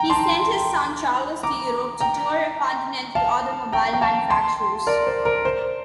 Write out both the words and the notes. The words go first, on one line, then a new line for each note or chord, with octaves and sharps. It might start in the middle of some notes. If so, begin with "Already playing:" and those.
He sent his son Charles to Europe to tour continental automobile manufacturers.
Already playing: G5 A#5
A5 C6
A#5 D6
G5 A#5
F5 A5
G5 A#5
G5
F5 A5
A5 C6
A#4 D5
C5
A#4
C5